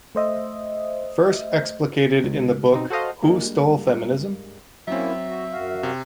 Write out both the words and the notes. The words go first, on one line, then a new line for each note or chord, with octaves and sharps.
First explicated in the book Who Stole Feminism?
A3 C5 D#5 E5
C#2
B2 C4 D#4
F#4 A4 C5 D#5 F5
G2 G3 G#3 A#3
F#3 A#3 C4 C#4 E4 E5
F#4
F#2 F#4 F5
C3